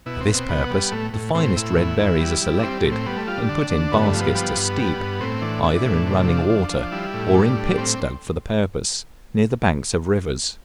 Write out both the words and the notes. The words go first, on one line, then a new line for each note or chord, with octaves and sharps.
For this purpose the finest red berries are selected, and put in baskets to steep, either in running water, or in pits dug for the purpose, near the banks of rivers.
B2 E4
C4
B2
C4
B2 B3
G3
A2 A3
A2
A2 C4
A2 E4
E2
E2
G3
G3
D4
G3 C4
A2
C4
G3 B3
A3
G3 F4
D4
D3
D3
G2 B3
A3
F3
B3
G3 B3
G2
G3
G2
A2 C4
E3 D4
E3 D4
A2
C3
F3
F3
F3
G3 E4
A2
E4
G3 D4
A2
A2 C4